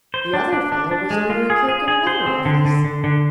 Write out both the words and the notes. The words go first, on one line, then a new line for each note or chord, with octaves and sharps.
"The other fellow was only a clerk in another office."
C5
D4
D4
D4
D4
G#3
F4
G#4
G#4
G#4
C5
C4
D3
D3
D3
D3